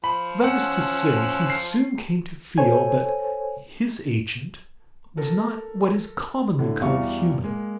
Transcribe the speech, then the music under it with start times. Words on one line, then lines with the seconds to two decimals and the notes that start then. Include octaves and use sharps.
That is to say, he soon came to feel that his agent was not what is commonly called human.
0.04 F3 B5
0.44 C#4 F#5 E6 F#6
1.50 C7
2.58 A4 C5 C#5 G#5
5.17 A4 A#4
6.59 A2 D3
6.81 E2 B2 G3 E5 F5 C#6
7.44 G#3 A#3